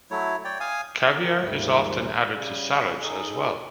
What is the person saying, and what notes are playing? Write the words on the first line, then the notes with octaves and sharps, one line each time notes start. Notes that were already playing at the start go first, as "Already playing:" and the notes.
Caviar is often added to salads as well.
F#3 A3 E4 C#5
C#5 D5 G5
F5 G#5 D#6
B3 D#4 A4 D5 F5
F4 A#4
D#2 G#2 F3 G3 A3
C#3 G3
D#4 G#4 A4